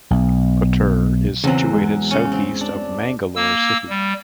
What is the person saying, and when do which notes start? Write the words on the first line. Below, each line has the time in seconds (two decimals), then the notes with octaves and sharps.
Puttur is situated south-east of Mangalore city.
0.11 B1
1.44 E2 C#3 F#3 C4
1.73 G#3
2.11 C#3 C#4
2.32 C4
2.61 D4
3.36 A#3 E6
3.90 G3